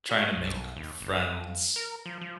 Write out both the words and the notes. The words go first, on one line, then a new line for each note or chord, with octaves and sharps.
trying to make friends
F#4
B1
D#2
F#1
F2
A#4
F3
F3